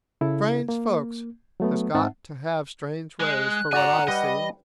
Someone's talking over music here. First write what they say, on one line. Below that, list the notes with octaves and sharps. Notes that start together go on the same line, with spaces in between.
"Strange folks has got to have strange ways, for what I see."
C#3 E4 A4
A#3
F#3 A3 B3
G#2 C4 D#4 E5 F#5 A5
G#3 F#6
F#4 D5 F#5 G#5 A#5
G3 B4 D#5